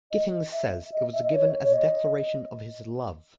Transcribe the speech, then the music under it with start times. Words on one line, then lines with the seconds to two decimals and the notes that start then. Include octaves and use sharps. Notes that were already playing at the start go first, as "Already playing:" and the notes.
Gittings says it was given as a declaration of his love.
0.11 D#5
0.52 E5
0.93 D#5
1.13 E5
1.23 D#5
1.34 C#5
1.63 C#5
1.73 D#5